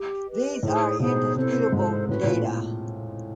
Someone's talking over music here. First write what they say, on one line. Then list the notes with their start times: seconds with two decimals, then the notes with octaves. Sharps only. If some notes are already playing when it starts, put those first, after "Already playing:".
These are indisputable data.
Already playing: G4
0.26 G4 B4 D#5
0.63 A2 D#4 G#4 C5
1.00 B2 D#4 G#4 C5
1.36 C3 E4 A4 C5
1.72 G#2 E4 A4 C5
2.09 A2 C#4 F#4 B4
2.23 A2
2.27 A#2